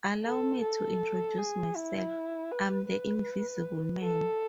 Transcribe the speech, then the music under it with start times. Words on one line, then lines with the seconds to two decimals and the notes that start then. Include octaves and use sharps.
Allow me to introduce myself--I'm the Invisible Man!
0.23 A4
0.61 A4
1.38 G#4
1.75 E4
2.51 B4
2.89 B4
4.03 A4